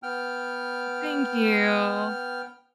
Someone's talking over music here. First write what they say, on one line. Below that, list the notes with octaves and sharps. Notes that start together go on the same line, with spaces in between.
Thank you.
B3 G5 F6